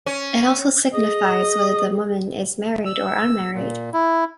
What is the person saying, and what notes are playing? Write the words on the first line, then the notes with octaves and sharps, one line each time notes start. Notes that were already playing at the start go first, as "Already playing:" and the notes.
It also signifies whether the woman is married or unmarried.
C#4
G#4 D#5
E6
A#2
E4